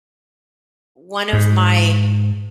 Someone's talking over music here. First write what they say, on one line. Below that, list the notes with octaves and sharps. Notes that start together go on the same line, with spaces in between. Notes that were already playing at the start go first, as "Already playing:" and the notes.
one of my
G#2